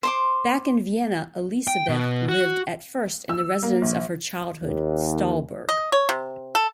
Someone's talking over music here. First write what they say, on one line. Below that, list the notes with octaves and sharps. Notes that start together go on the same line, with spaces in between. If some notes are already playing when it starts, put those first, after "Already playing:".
Back in Vienna, Elisabeth lived at first in the residence of her childhood, Stallburg.
C5 C6 D6
G5
B2
F#4
E6
A#3
A#1
D#2
D#5
C#5
C3
A4